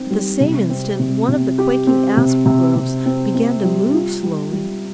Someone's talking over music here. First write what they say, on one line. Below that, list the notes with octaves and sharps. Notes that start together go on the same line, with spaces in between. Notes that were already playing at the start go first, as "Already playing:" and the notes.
At the same instant one of the quaking asp groves began to move slowly.
Already playing: D#3 C4
G3
C3
C4
C3
C3
G4
C4
C3
C3
C3
C4
C4
G3
F4
G3
G3